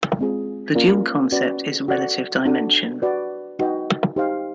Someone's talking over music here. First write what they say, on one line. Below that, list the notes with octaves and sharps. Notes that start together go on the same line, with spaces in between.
The dual concept is relative dimension.
G#3 C4 F4 G#4
A#3 C#4 F4 A#4 D5
C#4 F#4 B4 D5
F#4 A4 D5 F#5
D4 F#4 A4 D5 F#5
F#4 B4 D5
D#4 F#4 B4 D#5 G5
D#4 G4 C5 F5